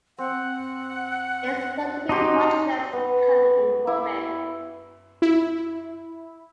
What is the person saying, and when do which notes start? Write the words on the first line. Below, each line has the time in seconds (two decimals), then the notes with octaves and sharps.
It is thought to be much less common in women.
0.18 C4 F#5
2.09 D4 D#4 F#4 G4 C6
2.93 B3
3.87 E4
5.22 E4